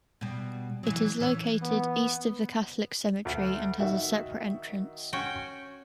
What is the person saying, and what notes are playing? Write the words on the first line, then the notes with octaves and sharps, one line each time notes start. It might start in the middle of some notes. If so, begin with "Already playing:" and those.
It is located east of the Catholic cemetery and has a separate entrance.
B2 G3
E3 F#3
E3 C#4
B3
D2
D#3 F#4 E5
C#4 F#4 G5